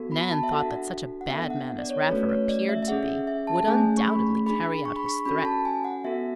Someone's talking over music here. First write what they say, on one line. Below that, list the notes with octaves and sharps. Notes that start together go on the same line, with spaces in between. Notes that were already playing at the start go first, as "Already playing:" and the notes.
Nan thought that such a bad man as Raffer appeared to be would undoubtedly carry out his threat.
Already playing: B3 F#4 A4
B5
A5
E5
D4 F#4 A4 F#5
F#5
B3 D4 A4 E5
F#5
D5
C#5
A3 C#4 F#4 A4 B4
C#5
D5
E5
E5
C#4 G#4 F#5
E5
E5
A5
A3 C#4 G#4 G#5
C#6
B5
D4 G#4 B5
C#6
B5
C#6
C#4 F#4 A4 B5
A5
G#5
F#5
B3 F#4 A4 E5